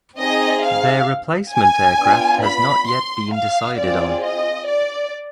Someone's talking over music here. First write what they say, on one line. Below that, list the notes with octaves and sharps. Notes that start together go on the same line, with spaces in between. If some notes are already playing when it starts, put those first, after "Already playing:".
Their replacement aircraft has not yet been decided on.
C4 D#4 G#4 D#5
F5
G#5
B3 D4 F4
B5
C6
F5
C4 F4 G#4 D5
D#5
D5